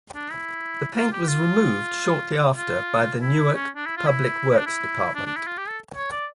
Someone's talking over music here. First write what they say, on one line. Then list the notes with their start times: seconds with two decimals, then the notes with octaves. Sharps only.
The paint was removed shortly after by the Newark Public Works Department.
0.15 D4
0.31 E4
0.96 F4
1.12 G4
1.28 F4
2.57 F4
3.21 E4
3.54 C#4
3.76 D4
3.86 E4
3.97 F4
4.07 E4
4.50 E4
4.58 D4
4.66 E4
5.15 D4
5.26 D4
5.36 E4
5.47 F4
5.58 G4
5.68 A4
5.96 C#5
6.12 D5